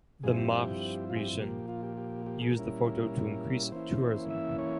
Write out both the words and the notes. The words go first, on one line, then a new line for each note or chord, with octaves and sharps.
The Marche region used the photo to increase tourism.
G2 F3 C4 E4 G#4
G4
G4
F4
G#4
G4
A#2 F3 A#3 G4
F4
G4
G4
G4
G#4
A#2 G3 C#4 E4 A#4
A#4
E3 A#3 C#4 E4 C5
E5
C#5